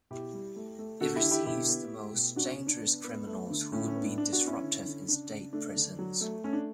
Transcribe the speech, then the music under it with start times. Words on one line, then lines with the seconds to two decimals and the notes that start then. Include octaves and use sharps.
It receives the most dangerous criminals who would be disruptive in state prisons.
0.10 B2 E4 G4
0.33 G3
0.56 A3
0.79 A3
1.01 D3 F#4 A4
1.16 E4 G4
1.23 D3
1.31 E4 G4
1.45 B2 E4 G4
1.68 B3
1.91 A3
2.13 B2
2.36 C#3 D4 F#4
2.51 C#4
2.59 C#3
2.67 D4
2.82 B3
3.04 B3
3.27 A3
3.50 D3
3.72 A2 C#4
3.88 C#4
3.96 B3
4.02 D4
4.17 B3 D4
4.33 D4 F#4
4.40 B3
4.47 C#4 E4
4.63 D3
4.85 D3
5.08 C#3 D4
5.31 C#3
5.53 A3 D4
5.76 D3
5.99 F#3
6.21 A3
6.44 A3 C#4
6.53 D4